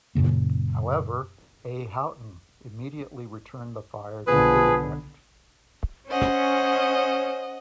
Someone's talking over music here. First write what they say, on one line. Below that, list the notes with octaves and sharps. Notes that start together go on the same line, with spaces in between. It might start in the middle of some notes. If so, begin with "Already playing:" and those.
However, "A. Houghton" immediately returned the fire to good effect.
F#2 A#2 C#3 A#3
B1 D3 F3 B3 G#4 B4
C#4 C5 D#5 F#5